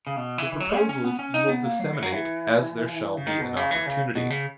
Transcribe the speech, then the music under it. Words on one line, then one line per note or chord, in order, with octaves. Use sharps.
The proposals you will disseminate as there shall be an opportunity.
C#3
B2
E3
E3
F#3
C#4
C#4
B3
C#4
D#4
B3
A#3
F#3
E3
F#3
E3
C#3
D#3
B2
C#3
E3
C#3
B2
C#3